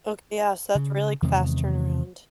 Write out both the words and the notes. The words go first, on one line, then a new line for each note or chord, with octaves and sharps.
Ok yeah, so that's a really fast turnaround.
C#3
E2 C3 D#3 G#3